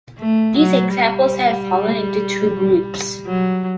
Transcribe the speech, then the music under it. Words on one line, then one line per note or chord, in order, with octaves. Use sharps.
These examples have fallen into two groups.
A3
F#3
G3
F#3